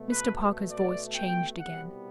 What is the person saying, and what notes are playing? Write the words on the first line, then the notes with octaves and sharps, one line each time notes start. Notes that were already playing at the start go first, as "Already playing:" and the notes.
Mr. Parker's voice changed again.
Already playing: B2 A3
B4
D5
G5
C2 B2 G3 B3 F#5